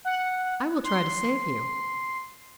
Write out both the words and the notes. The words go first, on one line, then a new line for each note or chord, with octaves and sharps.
I will try to save you.
F#5
C6